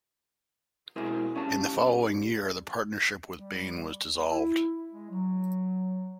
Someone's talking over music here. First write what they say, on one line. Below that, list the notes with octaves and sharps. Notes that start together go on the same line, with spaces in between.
In the following year the partnership with Baine was dissolved.
B2 G#3 E4 G#4 A#4 C5
G3 C#4 F5 A5
G3
E4
G#3
F#3